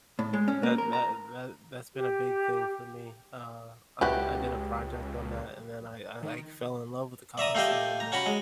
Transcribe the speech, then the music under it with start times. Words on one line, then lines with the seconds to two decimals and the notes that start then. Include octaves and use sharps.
that that that that's been a big thing for me. Uh, I I did a project on that, and then I I like fell in love with the Colosseum, and
0.19 A2
0.33 G#3
0.48 C#4
0.63 A#3
0.78 A#4
0.93 A#5
1.95 G4
4.01 C#2 F#3 E4 F#4 G4 B4
6.23 D#3
7.38 D5 E5 A#5 D#6
7.55 A3 F4 G4 D#5
8.00 A#5
8.12 C#4 F#4 A#5 B5
8.26 G#3